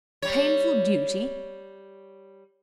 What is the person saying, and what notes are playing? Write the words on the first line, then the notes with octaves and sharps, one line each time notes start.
"Painful duty!"
G3 C#5